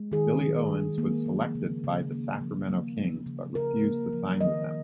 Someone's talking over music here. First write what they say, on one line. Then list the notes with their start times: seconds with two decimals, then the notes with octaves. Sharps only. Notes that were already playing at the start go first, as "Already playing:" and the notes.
Billy Owens was selected by the Sacramento Kings but refused to sign with them.
Already playing: G#3
0.12 D#3 G#4
0.40 D#3
0.69 G#3
0.98 A#3
1.26 F3
1.55 C#3
1.84 C#3
2.12 A#3
2.41 F3
2.69 A#3
2.97 F3
3.26 C#3
3.55 C#3 A#4
3.84 A#3
4.13 F3
4.40 D#3 D#5